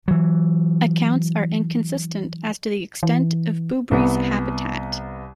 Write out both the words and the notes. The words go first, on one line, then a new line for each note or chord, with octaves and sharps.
Accounts are inconsistent as to the extent of the boobrie's habitat.
E3 F#3
E3
C2 B3